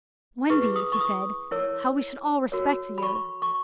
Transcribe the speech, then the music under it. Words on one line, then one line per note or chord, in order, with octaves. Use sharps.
"Wendy," he said, "how we should all respect you."
E4 G#4 B4 C#6
D#6
C#6
D#6
E4 A#4 C#5
F#4 A#4 C#5
B5
C#6
C#6